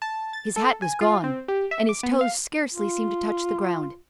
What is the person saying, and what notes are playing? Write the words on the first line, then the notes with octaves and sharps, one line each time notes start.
His hat was gone, and his toes scarcely seemed to touch the ground.
A5
A6
A4
G#5
F4
C4
G4
E5
D6
B3
F5
F4